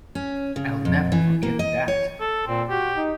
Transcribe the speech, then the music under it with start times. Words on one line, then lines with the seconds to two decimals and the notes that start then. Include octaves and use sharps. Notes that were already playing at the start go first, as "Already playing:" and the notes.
I'll never forget that.
0.15 C#4
0.56 C#3
0.85 F2
1.12 E3
1.43 A#3
1.59 D#5
1.88 C#5
2.20 A4
2.47 A#2 C4
2.69 F#4 G4
2.96 D#4